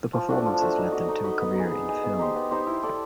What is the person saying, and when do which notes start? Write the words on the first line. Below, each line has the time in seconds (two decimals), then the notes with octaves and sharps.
The performances led them to a career in film.
0.13 F3
0.29 A3 D4 F#4
0.46 F3
0.61 A3 D4 F#4
0.77 D#4
0.92 F#4 B4 D#5
1.08 D#4
1.24 F#4 B4 D#5
1.41 B3
1.56 D#4 G#4
1.71 B3
1.88 D#4 G#4
2.03 B3
2.19 D#4 G4 C5
2.35 B3
2.51 D#4 G4 C5
2.67 E4
2.83 A4 D5